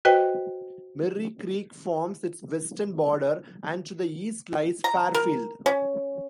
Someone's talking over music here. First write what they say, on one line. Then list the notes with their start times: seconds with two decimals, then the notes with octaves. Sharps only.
Merri Creek forms its western border, and to the east lies Fairfield.
0.05 F#4 B4 C5 D#5 G5
4.84 A#5
5.14 A#4
5.66 C#4